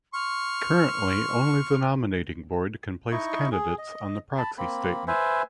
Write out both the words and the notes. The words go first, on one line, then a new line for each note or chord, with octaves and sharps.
Currently, only the nominating board can place candidates on the proxy statement.
C6 C#6 F6
D#4 E4 D#5 C#6
G#4
D#5
A5 B5
A#3 C4 B5
B4 C5 E5 G#5